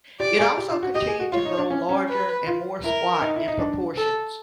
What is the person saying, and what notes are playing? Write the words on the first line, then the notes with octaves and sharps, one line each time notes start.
It also continued to grow larger and more squat in proportions.
G4 D5
G#4
G4
F4
F#4
G4 D#5
G#4
F#4
F4 C#5
D#4
D4
C#4
C#4
B4
F4
E4 A#4
D#4
E4
D#4
D4
A4